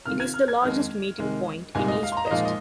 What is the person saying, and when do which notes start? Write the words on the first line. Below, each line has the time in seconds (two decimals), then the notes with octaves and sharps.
It is the largest meeting-point in East-Pest.
0.06 C3 D#3 C4 F4 F6
0.20 G#6
0.34 F6
0.48 G#6
0.62 F2 D#3 G#3 F6
1.18 C3 D#3 G#3
1.75 C2 A#2 G#3 D#4 G#5
1.88 D#5
2.03 F5
2.12 C6
2.17 A#5
2.26 D#5
2.31 A#2 F3 G#3 D#4 F5
2.45 D#5